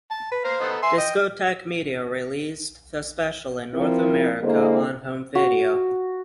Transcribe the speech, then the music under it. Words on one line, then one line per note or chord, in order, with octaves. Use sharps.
Discotek Media released the special in North America on home video.
A5
B4
C5 F5 A#5
B3 D#4 A4
E5 G#5 C6
D#5 G5
F3 C4 E4 A#4
D3 G#3 A#3 E4 A4 C5
F#4